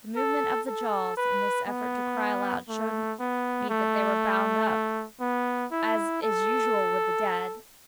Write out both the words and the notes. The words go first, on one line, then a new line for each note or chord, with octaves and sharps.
The movement of the jaws, in this effort to cry aloud, showed me that they were bound up, as is usual with the dead.
A4
A4
B4
B3
A3
B3
A3
B3
E4
A4